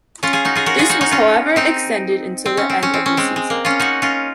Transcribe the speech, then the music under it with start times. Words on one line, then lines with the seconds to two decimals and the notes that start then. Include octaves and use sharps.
This was however extended until the end of the season.
0.23 C#4 F4
0.33 F4 G#4
0.45 D#4 F#4
0.55 F4 G#4
0.66 F#4 A#4
0.79 F4 G#4
0.89 D#4 F#4
1.01 D#4 F#4
1.11 C#4 F4
1.56 C4 D#4
2.46 C4
2.57 C#4
2.70 C4
2.83 C#4
2.94 C4
3.06 C#4
3.17 G#3 C4
3.36 G#3
3.50 A#3
3.65 C#4 F4
3.80 D#4 F#4
4.02 C#4 F4